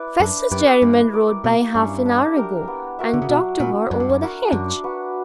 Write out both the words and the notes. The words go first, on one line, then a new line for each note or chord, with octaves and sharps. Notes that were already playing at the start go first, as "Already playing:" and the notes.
'Festus Derriman rode by half-an-hour ago, and talked to her over the hedge.'
Already playing: E4 B4 D5 E5
F#2 D4
F#2 G4 B4 D5
G2 E4
A#4 D5
B2 A#3
G2 C#4 E4
D4
G4 A#4
B3
F#4 A#4 E5
D3
C#3
B2 F#3
A#2 C#4 E4
F#2 D4
G2
F#2
F#4 A#4
F#2 D4
F#4 B4